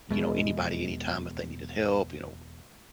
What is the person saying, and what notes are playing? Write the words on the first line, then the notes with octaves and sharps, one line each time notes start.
you know, anybody anytime if they needed help, you know
E2 B2 G#3